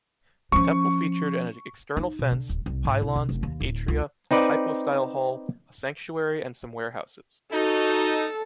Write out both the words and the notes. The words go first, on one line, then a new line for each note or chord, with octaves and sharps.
The temple featured an external fence, pylons, atria, a hypostyle hall, a sanctuary and some warehouses.
F3 C#4 C#6
D#4
B2
D3
D1
C2
G#2
C2
C3
F1
D#2
D1
C#2
C4 D#4 B4 D5
D#4 F#4 A4